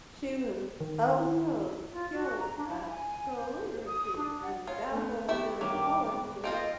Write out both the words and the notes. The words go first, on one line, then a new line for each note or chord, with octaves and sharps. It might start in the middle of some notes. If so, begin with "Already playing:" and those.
She was also skilled at calligraphy and dabbled in poetry.
D#3
E4
F4
F#4
A#5
D4
E4
G#5
C5
D#6
D4
F#5
F4 C#5
A3 B3
A3 B3 E4 G4 E5 G5
G2 D#3 F#3 E5 G5 D6
G#3 B3
F3 C4 F4 D#5 D7